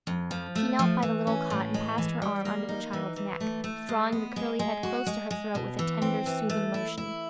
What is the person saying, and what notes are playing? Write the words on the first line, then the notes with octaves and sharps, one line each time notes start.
She knelt by the little cot and passed her arm under the child's neck, drawing the curly head close to her throat with a tender, soothing motion.
F2
F3
A3
F3
E3
C#4
A2
G#3
E3
G3
A#3
D#4
E3
E3
A3
A3
G#3
B3
G#3
G#3
F#4
G#3
G#3
B2
E3
C4
E3
A3
E4
E4